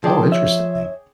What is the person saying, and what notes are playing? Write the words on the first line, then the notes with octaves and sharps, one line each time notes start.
Oh, interesting.
F3 G#4 D5 G5 A5
C#5 E5